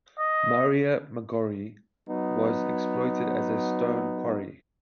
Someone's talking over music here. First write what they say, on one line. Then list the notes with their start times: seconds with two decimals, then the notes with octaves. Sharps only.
Maria Maggiore was exploited as a stone quarry.
0.18 D#5
2.08 F#3 B3 D#4